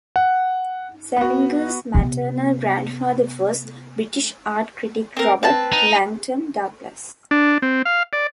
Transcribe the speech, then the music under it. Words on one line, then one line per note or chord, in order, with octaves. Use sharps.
Salinger's maternal grandfather was British art critic Robert Langton Douglas.
F#5
B3 F#4
C3 B3
C4 A#4
C4 B4 A5
D#4
D4
C4
F5
D5